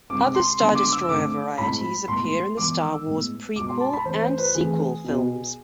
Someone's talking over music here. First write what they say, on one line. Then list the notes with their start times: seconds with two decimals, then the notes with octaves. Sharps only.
Other Star Destroyer varieties appear in the "Star Wars" prequel and sequel films.
0.10 C3 G#3 C4 D6
0.35 C6
0.59 D3 G#3 B3 C6
0.75 D6
0.92 E6
1.09 D3 A3 C4 D6
1.58 A2 G#3 C4 B5
2.08 A2 G#3 B3 C6
2.57 E3 G#3 B3 D6
2.82 E6
3.07 A2 G#3 B3
3.56 B2 G#3 B3 D6
3.69 C6
3.80 A5
3.93 B5
4.05 E3 A3 C4 C5
4.23 C5
4.38 B4
4.55 E3 A3 C4 G#4
5.04 B2 B3